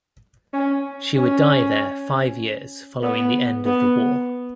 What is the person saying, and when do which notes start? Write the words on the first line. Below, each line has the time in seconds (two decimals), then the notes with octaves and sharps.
She would die there five years following the end of the war.
0.53 C#4
1.15 C#4
3.03 B3
3.66 B3